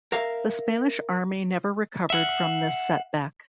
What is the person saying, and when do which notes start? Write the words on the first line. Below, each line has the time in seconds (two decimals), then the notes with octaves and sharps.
The Spanish army never recovered from this setback.
0.12 A#4 E5 F5
2.10 E5 F#5